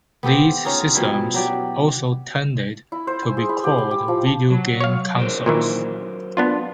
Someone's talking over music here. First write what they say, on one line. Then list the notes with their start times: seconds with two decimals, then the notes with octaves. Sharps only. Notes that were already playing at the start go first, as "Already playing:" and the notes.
These systems also tended to be called video-game consoles.
0.23 B3 G4 A4 C5
0.65 C#4 D#4 F4 G#4
0.95 B2 F3 G3 E4
1.34 F#3 G4 D5
2.92 E4
3.07 C5
3.22 G#5
3.37 G#4
3.49 E4
3.64 G4
3.78 G#5
3.91 G4
4.08 F3
4.50 F#3
4.81 C#5 F5
5.16 F#3 A#4 C5
5.46 A#2 D#3 E3
6.37 B3 D4 F4